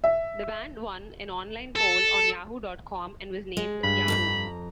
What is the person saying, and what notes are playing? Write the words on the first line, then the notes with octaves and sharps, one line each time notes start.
The band won an online poll on Yahoo dot com and was named Yahoo!
E5
A4
G#3
G2 B5
F2 A5 A#5